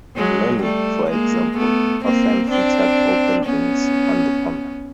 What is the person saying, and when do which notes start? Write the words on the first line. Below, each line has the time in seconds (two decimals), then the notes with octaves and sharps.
Many, for example, often featured open rings on the pommel.
0.16 F#3 G#3
0.63 G3 A3
1.10 G#3 A#3
1.57 A3 B3
2.04 A#3 C4
2.50 C4 D4
3.45 B3 C#4